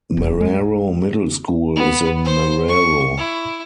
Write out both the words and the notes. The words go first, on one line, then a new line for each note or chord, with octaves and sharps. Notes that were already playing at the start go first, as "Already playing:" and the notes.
Marrero Middle School is in Marrero.
D#1
G#3
B3
C5
C#6
E4